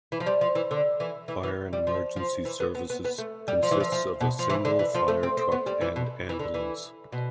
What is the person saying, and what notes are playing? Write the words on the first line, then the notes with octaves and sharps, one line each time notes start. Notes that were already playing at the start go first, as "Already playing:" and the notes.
Fire and emergencies services consists of a single fire truck and ambulance.
E3
F3
G3
F3
E3
D3
E3
E3
E3
G3
F3
F3
E3
B3
B3
B3
B3
A3
G3
F3
E3
F3
F3
B2
F3
E3
D3
E3
F3
A3
C4
C4
B3
G3
E3
B2
E3
D3
E3
B2